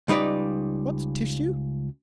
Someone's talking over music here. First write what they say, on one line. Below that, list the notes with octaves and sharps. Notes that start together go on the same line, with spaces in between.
"What's tissue?"
C#2 G3 D#4 B4 D5